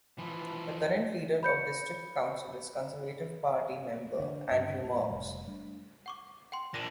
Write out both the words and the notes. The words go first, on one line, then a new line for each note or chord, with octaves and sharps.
The current leader of the district council is Conservative Party member Andrew Mobbs.
E3 F3
B5 G6 C#7
D3
G2
A2
F1 C3 G3 A3
G3 A3 D4
F#5 C#6 D6
F#5 G5 C6
A#2 D4 A#6 D#7